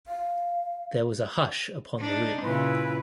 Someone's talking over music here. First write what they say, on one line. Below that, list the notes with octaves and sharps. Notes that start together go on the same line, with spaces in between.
There was a hush upon the room.
F5
D4 D#4
A#2 C#3 E4 B4